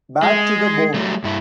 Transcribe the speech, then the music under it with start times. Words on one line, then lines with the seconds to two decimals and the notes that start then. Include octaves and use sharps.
Bad to the bone.
0.23 G#3 G#4
0.94 F#3 G3 A3
1.24 G2 E4